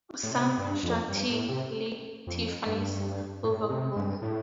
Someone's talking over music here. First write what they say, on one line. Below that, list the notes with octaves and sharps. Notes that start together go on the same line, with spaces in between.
Some Chantilly-Tiffanys' overgroom.
A2
C3
G2
F2
G2
A2
C3
F2
G2
A2
C3
G2
A2